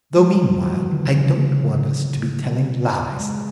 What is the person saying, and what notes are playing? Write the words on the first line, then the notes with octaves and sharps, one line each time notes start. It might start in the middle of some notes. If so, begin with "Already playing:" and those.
Though meanwhile I don't want us to be telling lies.
G#3
F#3
F#3
E3
D#3
D3
C#3
C#3
D3
G3
G3
G#3